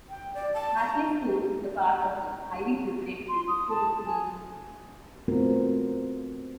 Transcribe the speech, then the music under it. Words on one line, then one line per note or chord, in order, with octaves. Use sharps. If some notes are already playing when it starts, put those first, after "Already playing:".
Hackley School is a part of the Ivy Preparatory School League.
G5
D5
A5
A#5
C6
D#6
A5
G#5
A3 B3 C4 F4 F#4 A#4